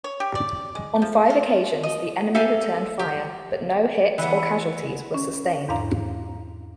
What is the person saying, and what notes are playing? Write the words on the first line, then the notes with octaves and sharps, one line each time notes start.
On five occasions the enemy returned fire, but no hits or casualties were sustained.
C#5
G4
D5
G#3
F3
F4
D#5
G4 A4 E5 F5 G#5
G4
E3 B3
C#4
E2 G#2 D4 F5 A#5